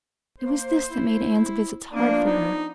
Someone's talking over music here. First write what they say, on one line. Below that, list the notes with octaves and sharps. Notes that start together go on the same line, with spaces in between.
It was this that made Anne's visits hard for her.
A#3 C5
E4
F3 A#3 B3 D4
D#4